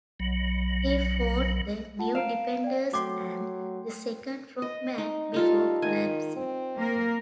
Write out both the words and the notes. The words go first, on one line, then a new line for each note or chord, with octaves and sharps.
He fought the New Defenders and the second Frog-Man, before collapsing.
B1 F#3
F4 F#5 A5
F5 A#5 D7 E7
D5 G5
F#3 A3 G5 C6 D6
D#5
D#4
G3 D#4 F4 A4
D#3 G#5
C4
A#3 A#4